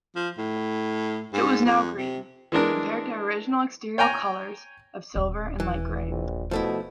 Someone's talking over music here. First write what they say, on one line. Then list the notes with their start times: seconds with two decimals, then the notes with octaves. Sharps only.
It was now green, compared to original exterior colours of silver and light grey.
0.15 F3
0.38 A2
1.33 G#2
1.65 F2
1.96 C3
2.52 E3 G#3 D4 A#4
3.98 C#5 G5 G#5 A#5
5.15 D#1 D#2
5.60 E3
6.08 A#1
6.51 B2 F3 A3 E4